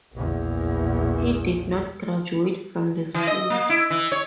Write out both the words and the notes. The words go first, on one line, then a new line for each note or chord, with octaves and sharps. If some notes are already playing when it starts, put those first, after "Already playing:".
He did not graduate from the school.
A#1 E2
E3
D#5
A#3
E4
E3
C#5